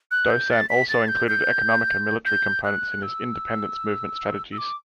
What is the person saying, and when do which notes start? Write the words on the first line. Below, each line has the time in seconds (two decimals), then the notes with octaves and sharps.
Dosan also included economic and military components in his independence movement strategies.
0.11 F#6
0.30 G6
0.51 A6
0.69 B6
0.89 A6
1.08 G6
1.28 G6
2.26 G6
2.64 F#6
3.03 E6
4.52 E6
4.58 D6